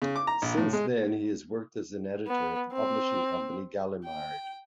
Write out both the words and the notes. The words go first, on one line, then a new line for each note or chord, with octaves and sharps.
Since then he has worked as an editor at the publishing company Gallimard.
C#3
D6
A#5
A#1
A2
G#3
B3
C4
G5